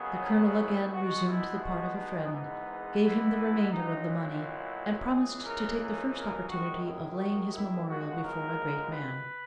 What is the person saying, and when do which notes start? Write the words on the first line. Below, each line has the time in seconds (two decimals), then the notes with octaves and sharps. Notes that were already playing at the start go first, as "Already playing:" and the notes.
The colonel again reassumed the part of a friend, gave him the remainder of the money, and promised to take the first opportunity of laying his memorial before a great man.
Already playing: D#2 C#3 F#3 B3 G#4
0.24 D#4
0.59 E4
0.93 E2 B2 G#3 B3 F#4
1.29 E4
1.63 F#4
1.98 D#4
2.32 G#1 G#2 E3 G#3 B3
3.02 E4
3.72 B1 A#2 F#3 D#4
4.42 E4
5.11 C#2 C#3 E3 G#4
5.46 A#4
5.81 A#4
6.16 A#4
6.50 F#2 D#3 G#3 F#4
6.85 E4
7.20 F#4
7.54 E4
7.89 B1 A#2 G#3 F#4
8.25 A#4
8.93 B4